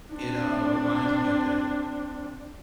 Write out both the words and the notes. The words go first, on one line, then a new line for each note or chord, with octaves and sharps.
It, uh, reminds me a bit
C4 D4